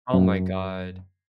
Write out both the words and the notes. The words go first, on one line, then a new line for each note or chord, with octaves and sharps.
Oh my god.
F#2